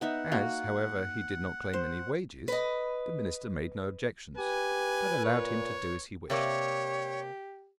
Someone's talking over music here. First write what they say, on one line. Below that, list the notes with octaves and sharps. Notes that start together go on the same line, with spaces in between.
As, however, he did not claim any wages, the minister made no objections, but allowed him to do as he wished.
B3 D#4 E5 F#5
A#3 F#4
C5
B4 D#5
G4 B4 G#5
A#2 C#5
C3 A#3 G4 C#5 D5